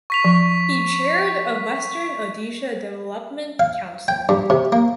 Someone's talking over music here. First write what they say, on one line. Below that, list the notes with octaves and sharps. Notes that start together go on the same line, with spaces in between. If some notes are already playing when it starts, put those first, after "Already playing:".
He chaired of Western Odisha Development Council.
C#6 B6 F7
F3
F5
G5
G2
C3
A#3